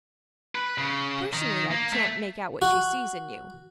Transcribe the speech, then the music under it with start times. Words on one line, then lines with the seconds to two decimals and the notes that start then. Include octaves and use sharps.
Personally, I can't make out what she sees in you.
0.55 B4
0.78 C#3
1.33 D#3
1.71 A#3
1.93 A3
2.62 F#4